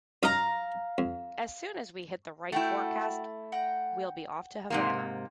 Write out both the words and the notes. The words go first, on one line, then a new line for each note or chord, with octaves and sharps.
As soon as we hit the right forecast, we'll be off to Havana.
F#2 D#4 D#5 F5 A#5
F2
A3 E4 F#4 G5 G6
F#5 G5 A#5
G#2 C3 A#3